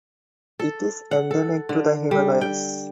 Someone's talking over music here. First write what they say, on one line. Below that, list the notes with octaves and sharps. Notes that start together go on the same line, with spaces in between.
It is endemic to the Himalayas.
A4
F#5
A4
D3
G3
G5